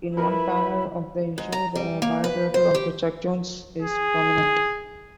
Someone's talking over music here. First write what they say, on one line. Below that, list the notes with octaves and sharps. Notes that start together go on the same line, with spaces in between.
In one panel of the issue, the biography of Chuck Jones is prominent.
F3 E4 A#4 B4 B5
G#2
A#5
G3
A#3
B4
C5
G4
G#4